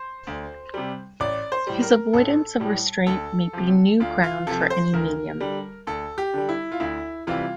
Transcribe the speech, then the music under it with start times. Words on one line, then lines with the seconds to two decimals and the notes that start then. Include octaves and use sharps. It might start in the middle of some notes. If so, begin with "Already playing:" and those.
His avoidance of restraint may be new ground for any medium.
Already playing: C5
0.27 D2
0.74 C3 G3
1.20 A1 D5
1.52 C5
1.67 A2 G3
1.82 A#4
2.13 A1 A4
2.60 A2 G3
3.07 D2 A4
3.53 C3 F3
4.00 D2 F4
4.23 F4
4.47 C3 F3 A4
4.70 C5
4.93 D2 A#4
5.40 D3 G3
5.87 D2 A4
6.18 G4
6.34 D3 G3
6.49 E4
6.72 F4
6.80 D2 E4
7.27 C3 E3 G3 F4